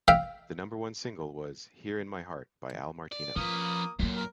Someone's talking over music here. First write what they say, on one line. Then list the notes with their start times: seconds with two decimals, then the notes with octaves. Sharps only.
The number-one single was "Here in My Heart" by Al Martino.
0.08 E5 F5 G5
3.12 D5
3.36 F3 A#3 C#4 B4 D#6
3.99 F#2 A#2 F#3 A#3
4.16 A#4